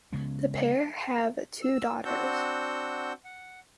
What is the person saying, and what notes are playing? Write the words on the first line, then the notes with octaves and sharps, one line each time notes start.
The pair have two daughters.
C#3 G#3 B3 C#4
E6
C4 D4 F#4 F#5 E6 G6
F#5